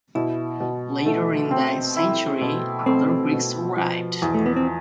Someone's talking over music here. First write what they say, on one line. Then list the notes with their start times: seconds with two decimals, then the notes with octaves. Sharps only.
Later in that century other Greeks arrived.
0.15 B2 E4
0.60 B2
1.06 A3
1.51 C4
1.96 E4
2.41 B2
2.86 A3 C4
3.32 B2
3.77 F3
4.22 E2
4.34 A3
4.46 B3
4.56 C4